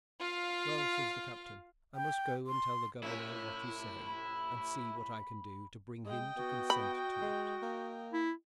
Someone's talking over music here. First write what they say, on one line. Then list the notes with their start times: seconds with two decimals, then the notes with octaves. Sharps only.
"Well," says the captain, "I must go and tell the governor what you say, and see what I can do to bring him to consent to it."
0.20 F4 F5
1.95 G5
2.47 C6
3.03 A2 C3 C#4 E4
4.08 B5
6.06 G#3 D#5 G5
6.36 B3 F#4
6.70 B5
7.22 G#3
7.62 A#3
8.13 E4